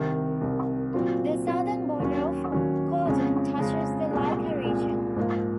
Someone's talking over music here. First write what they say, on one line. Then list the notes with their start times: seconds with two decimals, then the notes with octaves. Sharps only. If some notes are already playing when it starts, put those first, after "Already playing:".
The southern border of Kordun touches the Lika region.
Already playing: C2 C3 D#3
0.41 C2 C3 D#3
0.94 A#2 F#3 C4 F4
1.47 A#2 F#3 C4 F4
2.00 D#2 D#3 F#3 C#4
2.52 D#2 D#3 F#3 C#4
3.06 F2 C#3 G#3 C#4
3.58 F2 C#3 G#3 C#4
4.11 C2 A#2 G#3
4.64 C2 A#2 G#3
5.16 G#2 F3 A#3 F4